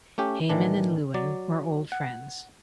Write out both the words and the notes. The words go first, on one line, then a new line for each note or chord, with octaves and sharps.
Heymann and Lewin were old friends.
A3 C#4 G4
A2 D#3 E3 D4
F#3 D5
F#5